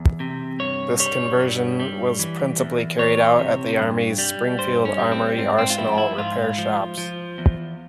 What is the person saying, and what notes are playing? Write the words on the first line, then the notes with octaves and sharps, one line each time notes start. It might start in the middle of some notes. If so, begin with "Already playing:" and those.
This conversion was principally carried out at the Army's Springfield Armory arsenal repair shops.
Already playing: E2
C3
G2 C#5
G3 C#5
G2
G3
E3
E2
E2 C#5
C3
G2
G3
G2 C5
C#4
G3
C4
G#2 C4
C4
F4
F3 E4
E4
G#2 F4
F3
F3
E2